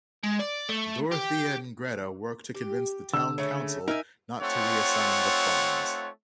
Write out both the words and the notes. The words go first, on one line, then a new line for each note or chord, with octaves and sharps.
Dorothea and Greta work to convince the town council not to reassign the funds.
G#3
D5
A3
G4
G4
D3 E6
C#3 A3 C#4
D#4 A#4 E5 G#5
A3 C4 D#4 F4 C#5 F#5